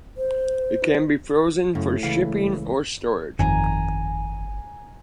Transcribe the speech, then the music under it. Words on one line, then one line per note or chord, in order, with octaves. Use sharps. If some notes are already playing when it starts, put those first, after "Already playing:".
It can be frozen for shipping or storage.
C5
F#2 A2 C#3
C#2 E3 F5
G1 F2 D#3 G#5 A#5